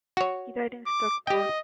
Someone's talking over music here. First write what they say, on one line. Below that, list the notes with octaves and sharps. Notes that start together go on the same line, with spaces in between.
He died in Stockport.
F#4 C#5
D6
G4 D#5 G5